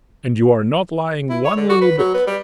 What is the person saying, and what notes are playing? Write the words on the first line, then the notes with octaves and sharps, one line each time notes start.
And you are not lying one little bit.
E4
C#5
D3
F#4
B4
F#3
B3
G3